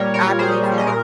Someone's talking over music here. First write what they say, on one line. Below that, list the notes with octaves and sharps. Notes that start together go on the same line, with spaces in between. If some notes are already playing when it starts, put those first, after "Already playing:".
I believe that.
Already playing: A#2 G3 A#4 C#5
A#2 A#4 C#5
G3 G#4 C5
G3
D#5
A#2 A#4